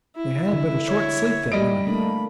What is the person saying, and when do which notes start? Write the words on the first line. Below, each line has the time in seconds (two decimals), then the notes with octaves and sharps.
They had but a short sleep that night.
0.16 E4
0.53 D3
0.88 C#5
1.52 G3 D#5 D7
1.87 A3 A#3 D4 B5